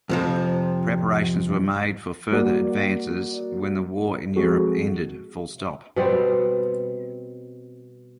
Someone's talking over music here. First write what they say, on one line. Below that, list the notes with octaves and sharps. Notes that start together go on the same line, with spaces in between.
Preparations were made for further advances when the war in Europe ended.
F2 C3 F3
G3 A#3 F#4 A#4 D5 F#5
F3 G#3 C4 F#4 G#4 A4
B2 G3 B3 C4